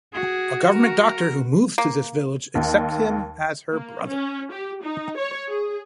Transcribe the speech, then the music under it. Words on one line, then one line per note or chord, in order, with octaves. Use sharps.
A government doctor who moves to this village accepts him as her brother.
F#4 G#4
A#4
A#3
D#2
A#3
C#4
G4
D#4
C#5
G#4